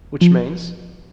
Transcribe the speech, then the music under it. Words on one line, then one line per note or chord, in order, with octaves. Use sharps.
"Which means?"
F3